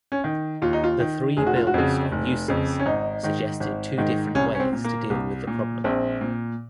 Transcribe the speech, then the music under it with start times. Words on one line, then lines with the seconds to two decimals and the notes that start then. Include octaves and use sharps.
The three bills on uses suggested two different ways to deal with the problem.
0.12 C#4
0.24 D#3
0.62 D#2 F4
0.73 D#4
0.84 F4
1.00 D#3
1.37 F1 G#4
1.47 F#4
1.56 F4
1.67 F#4
1.74 F2 C#3
2.12 F1
2.48 F2 C#3
2.80 C#4
2.86 G#1 D#4
3.23 G#2 D#3
3.60 G#1
3.98 G#2 D#3
4.35 C2 C#4
4.55 C#4
4.60 C4
4.73 A#2
4.84 A#3
5.10 C2
5.47 A#2
5.84 A#1 C4
6.21 A#2